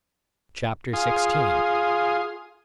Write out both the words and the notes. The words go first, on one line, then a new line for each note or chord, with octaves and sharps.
Chapter XVI.
F4 G#4 F5 G#5 C6 D#6